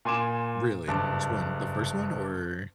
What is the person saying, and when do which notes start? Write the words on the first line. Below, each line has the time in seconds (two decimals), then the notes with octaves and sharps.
Really? Which one? The first one? Or
0.05 A#2 G#5 C6 D6 E7
0.88 F#1 G2 A5 D6